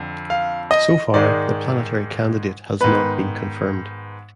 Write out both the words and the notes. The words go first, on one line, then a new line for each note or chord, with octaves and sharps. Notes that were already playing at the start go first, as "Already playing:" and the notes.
So far the planetary candidate has not been confirmed.
Already playing: F2 D3
F5
D#5
G#2 D#3 G#3 D5
G#2 D#3 B3 B4